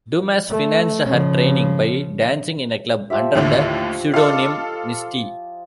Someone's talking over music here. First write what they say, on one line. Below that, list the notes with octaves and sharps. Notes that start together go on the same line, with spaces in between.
Dumas financed her training by dancing in a club under the pseudonym Misty.
A3
C#3 F3
F3 G4 E5
D#2 A2 D3
F4 A4 D#5 F5 D6